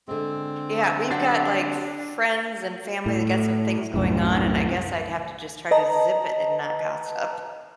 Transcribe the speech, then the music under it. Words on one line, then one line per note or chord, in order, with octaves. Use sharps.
Yeah, we've got, like, f friends and family that got some things going on, and I guess I'd have to just try to zip it and not gossip.
D3 G#3 C4
F#3 D4 G4 F#5
A2
C2 F#2 A2
B4 D#5 A5 A#5